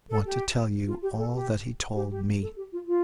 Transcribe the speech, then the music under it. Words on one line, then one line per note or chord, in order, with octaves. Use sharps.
I want to tell you all that he told me.
A4
G4
F4
G4
A4
G4
G4
G4
A4
G4
F4
F4